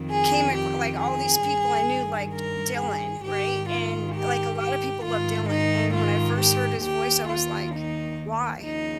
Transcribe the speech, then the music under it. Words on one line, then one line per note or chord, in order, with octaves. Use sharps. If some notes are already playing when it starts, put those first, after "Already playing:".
came ac like, all these people I knew liked Dylan, right? And, like, a lot of people love Dylan, and when I first heard his voice, I was, like, "Why?”
Already playing: F2 D#3
G#4
G4
G#4
G2 D#3
A#4
G#4
G#2 D#3 G4
F4
G4
G4
G#2 D#3 F4
D#4
F4
G4
D#2 D#3 G4
F4
D#4
D#2 C#3 F3 D#4